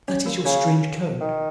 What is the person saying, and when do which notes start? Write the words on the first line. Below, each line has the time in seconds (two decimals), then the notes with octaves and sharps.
That is your strange code.
0.08 C#4 C#5
0.26 A#3 A#4
0.45 C#3 C#4 C#5
1.20 D#3